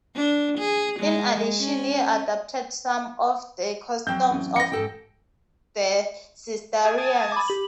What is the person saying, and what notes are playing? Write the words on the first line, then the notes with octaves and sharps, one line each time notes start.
In addition he adapted some of the customs of the Cistercians.
D4
G#4
G#3
C#4
F#3 C4 G5 G6
A1
D#5 A#6 C#7
G#2 A4 G5
G#4
G#5 A5 D#6
B5 D6
G4 F#7